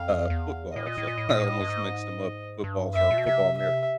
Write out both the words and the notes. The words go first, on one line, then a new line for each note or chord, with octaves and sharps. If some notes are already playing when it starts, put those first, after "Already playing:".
uh, football. So I almost mixed 'em up football so football Amer
Already playing: F2 F5
E2
A2 D#5
A#2
A2
A#2
A2
A#2
A2
G2
G#2
G2
F#2 E5
A#2
B2
C3 E5
E5